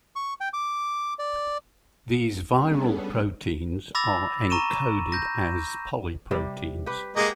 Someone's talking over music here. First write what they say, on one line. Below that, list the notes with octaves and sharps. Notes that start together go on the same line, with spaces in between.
These viral proteins are encoded as polyproteins.
C#6
G5
D6
D5
G3 B3 C#4 D4 G#4 A4
B5 D6 E6 A6 A#6 F7
A#5 C#6 D#7 E7
G6 A#6
C3 G3
G4 B4
G#3 A#3 G4 D#5 F#5